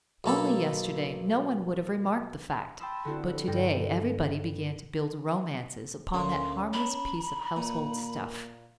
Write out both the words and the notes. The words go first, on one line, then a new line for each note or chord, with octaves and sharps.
Only yesterday no one would have remarked the fact, but to-day everybody began to build romances upon that harmless piece of household stuff.
B1 A#3 A4 B5
G5 A5 B5 C6 D#6 E6
D3 B3 C4 E4 F#4 G4
G2 D3 G3 E4 G5 A#6
D2 A#2 A#3 C#4 C6
D4 A#5 B5
A#2 A#3